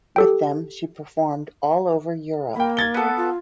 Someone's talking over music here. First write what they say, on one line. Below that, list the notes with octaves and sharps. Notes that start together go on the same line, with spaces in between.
With them she performed all over Europe.
G4 A4 G5
A#3 G5 B5
G#6 A6 G7
B3 A4
F4